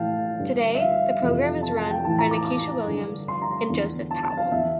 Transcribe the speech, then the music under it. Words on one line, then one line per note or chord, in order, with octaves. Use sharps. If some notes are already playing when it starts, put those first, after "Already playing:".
Today, the program is run by Nikisha Williams and Joseph Powell.
Already playing: A2 E3 F5 G5 A5
G2 D3
E5
F5
F2 C3 E3
A5
A5
G5
A2 E3 A5
A#5
D6
D6
G2 D3
C6
A#5
E2 D3
A5
A5
F5
E2 E3 E5